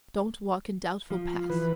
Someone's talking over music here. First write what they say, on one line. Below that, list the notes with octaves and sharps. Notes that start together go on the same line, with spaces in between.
Don't walk in doubtful paths.
F3
E3 B4